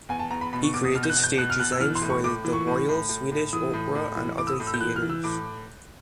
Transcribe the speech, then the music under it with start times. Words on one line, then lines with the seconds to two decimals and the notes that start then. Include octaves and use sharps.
He created stage designs for the Royal Swedish Opera and other theaters.
0.09 E2 G#5
0.19 A5
0.30 E2 A#5
0.41 B5
0.53 B2 B5
0.63 C#6
0.74 E2 D6
0.85 D#6
0.95 B2 F6
1.03 G6
1.10 F#6
1.17 E2
1.24 G6
1.37 B2 F#6
1.50 F6
1.59 B2 F#6
1.72 E6
1.80 E3 F6
1.95 C6
2.02 A2
2.10 C#6
2.24 A2 D6
2.45 E3
2.53 C#6
2.67 A2
2.89 A2
3.09 A2
3.32 A2
3.53 E3 D#6
3.73 A2
3.95 A2
4.16 E3
4.38 A2 D6
4.47 E6
4.52 D#6
4.60 A2
4.67 E6
4.74 G6
4.81 E3 F#6
4.96 F6
5.02 E3
5.10 E6
5.24 A2 D6